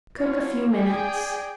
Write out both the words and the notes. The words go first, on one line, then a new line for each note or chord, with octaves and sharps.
Cook a few minutes.
F#3 E4 F4 C#5
G#4 D5 G5 G#5